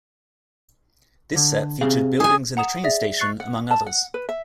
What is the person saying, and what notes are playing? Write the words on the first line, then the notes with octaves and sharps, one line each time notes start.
This set featured buildings and a train station, among others.
D3
C3 G#4 F5
G#4 G#5
F#5 A#5 D#6 E7
G#4 D5 E5 A#6
C#6 F#6 A6 C7 C#7
F#5
A5
F#5
B4
E5